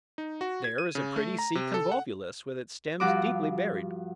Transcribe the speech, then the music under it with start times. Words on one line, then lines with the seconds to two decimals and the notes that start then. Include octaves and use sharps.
There is a pretty Sea Convolvulus, with its stems deeply buried.
0.18 D#4
0.41 F#4
0.64 G#6
0.78 D#7
0.95 C#3
1.16 A3
1.38 A#5
1.55 C3
1.74 A4
1.92 F#5
3.00 G2 F3 F#4 D6